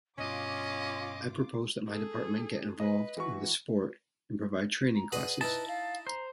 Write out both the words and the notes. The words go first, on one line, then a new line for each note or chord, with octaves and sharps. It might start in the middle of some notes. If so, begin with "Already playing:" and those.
I propose that my department get involved in this sport and provide training classes.
G2 B2 C#4 F4 D#5 D6
G#4 A4
B4 D#5
E3 F#4 C#6
A#5
F#4 G#4 B4 D5
D#4 E4 B4 A5
F5
C5 A#5